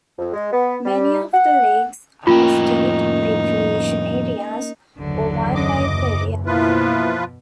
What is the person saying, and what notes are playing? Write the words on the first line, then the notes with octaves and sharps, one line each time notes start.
Many of the lakes are state recreation areas or wildlife areas.
F2
G#3
B3
G3
F#5
F2 A2 A#3 C#4 D#4 F4 A#4 G5
F#1 D#2 D3 E3 F#3
D#5 D6
B2 F3 A#3 E4 F4 B4